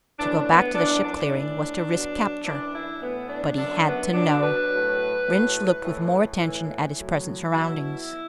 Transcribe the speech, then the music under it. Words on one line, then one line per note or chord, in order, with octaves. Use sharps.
To go back to the ship clearing was to risk capture--but he had to know. Rynch looked with more attention at his present surroundings.
A2 E3 D4
B3
F#2 E3 D4
D4
A2 E3
B2 F#3
F#2 E3 D4
E4
A2 E3 B3
D4
F#2 D3 F#3 D4
B3
B2 F#3 D4
B4
A2 F#3
A2 F#3
A2 E3
A2 E3
A2 F#3
B2 F#3 E4